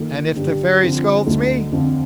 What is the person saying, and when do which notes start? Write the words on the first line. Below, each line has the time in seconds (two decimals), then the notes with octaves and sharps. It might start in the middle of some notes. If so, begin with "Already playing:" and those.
"And if the Fairy scolds me?"
Already playing: D#3 A#3 F4 A4
0.35 G2 D3 G3 D4 G4
0.81 D3 F3 C4 F4
1.26 D2 D3 A3 D#4
1.72 F2 D3 F3 C4 F4